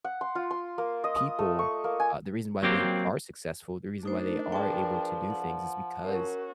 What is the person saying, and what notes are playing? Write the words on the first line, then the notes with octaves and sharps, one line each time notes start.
people. Uh, the reason why they are successful, the reason why they are able to do things is because,
F#5
C6
F4
C6
A#3
D#5
D#6
A3
C#6
A#3
G#5
F#3 A#3 C4 G4
A3 D4 D#4 A#4 C5
F3 G#4 B4 D5 G5 A5
F#5
C#4 F#4 A#4